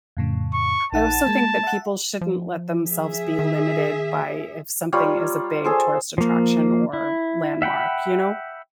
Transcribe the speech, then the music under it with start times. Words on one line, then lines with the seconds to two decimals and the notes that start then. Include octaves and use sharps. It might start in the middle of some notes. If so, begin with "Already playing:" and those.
I also think that people shouldn't let themselves be limited by if something is a big tourist attraction or landmark, you know?
0.17 F2 A2 C#3
0.54 C#6
0.93 A#1 D#4 F#5 A5
1.27 G#3 A#3
1.63 E5 F#5
2.21 F3
2.86 G#4 E5
3.39 D#3
4.93 G3 F4 C#5 A#5
5.65 G#4 A4 C5
6.18 F3 A#3
6.93 E4
7.62 E5 F#5 G5 B5